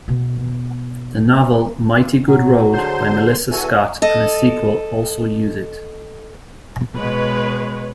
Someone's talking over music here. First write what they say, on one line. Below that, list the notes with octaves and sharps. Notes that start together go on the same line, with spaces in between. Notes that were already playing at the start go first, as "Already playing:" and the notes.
The novel "Mighty Good Road" by Melissa Scott and a sequel also use it.
B2 B3
A#2 F#3
D3 G#4 C5 A5 C6 G6
E2 F#4 A4 B4 E5 G#5 A5
A4 D#5
B2 G#3 B4 C#5